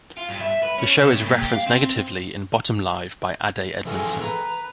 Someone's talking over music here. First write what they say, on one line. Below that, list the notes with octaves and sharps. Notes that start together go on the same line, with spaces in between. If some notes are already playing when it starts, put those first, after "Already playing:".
The show is referenced negatively in Bottom Live by Ade Edmondson.
F4
G2
E5
B4
C#4
C3
G2
A#2
G4
F5
C4
E3 G#3 G#4 A4 G5
B4 A#5